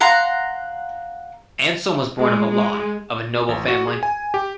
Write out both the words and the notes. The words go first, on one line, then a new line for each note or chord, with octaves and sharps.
Anselm was born in Milan of a noble family.
F5 F#5 A#5 C6
G#3
G#3
A1
F#4
G#4
G#5
G4